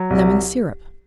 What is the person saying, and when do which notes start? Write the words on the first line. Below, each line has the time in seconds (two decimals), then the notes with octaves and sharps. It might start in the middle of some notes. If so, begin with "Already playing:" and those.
Lemon Syrup.
Already playing: F#3
0.10 C2